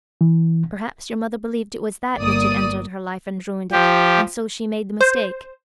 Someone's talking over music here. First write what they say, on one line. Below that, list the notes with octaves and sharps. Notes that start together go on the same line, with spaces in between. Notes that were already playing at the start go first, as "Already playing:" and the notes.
Perhaps your mother believed it was that which had entered her life and ruined it; and so she made the mistake.
E3
G1 A#3 D5 D#6
F3 G4
C5